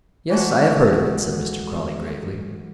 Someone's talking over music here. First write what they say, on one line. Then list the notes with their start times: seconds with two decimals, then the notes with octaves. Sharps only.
"Yes; I have heard of it," said Mr. Crawley, gravely.
0.30 E3 G#3 A3 F#4